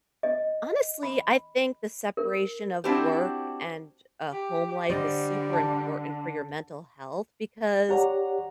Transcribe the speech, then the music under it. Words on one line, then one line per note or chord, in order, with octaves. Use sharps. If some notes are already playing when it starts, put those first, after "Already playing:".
Honestly, I think the separation of work and a home life is super important for your mental health because
D#5
B5
A#4
C4 D4 E4 F#4 G4 C5
G4
D3 G3 C5 D5 D#5
A5
G4 C#5 D5 F#5 A#5